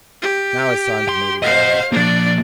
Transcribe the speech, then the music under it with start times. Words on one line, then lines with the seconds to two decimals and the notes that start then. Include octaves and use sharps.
Now it's time for me to go.
0.22 G4
1.09 C6
1.42 C5 D#5 F5 F#5
1.92 F3 A#3 D4 D5